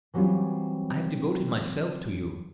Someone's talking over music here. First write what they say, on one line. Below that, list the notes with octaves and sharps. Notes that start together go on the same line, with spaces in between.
I have devoted myself to you.
E3 F#3 G3 C4 C#4 F4